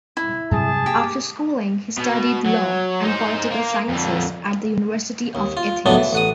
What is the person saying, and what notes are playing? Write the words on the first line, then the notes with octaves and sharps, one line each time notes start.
After schooling he studied law and political sciences at the University of Athens.
E4
G2 C3 F#3 G#4 A5
A#3 G4
B2
F#3
D#4 C5
A#3
F2 D3
D#2
F4
F#2 A2 C#3 B3 D4 D#4
E3
A1 F#5 D#6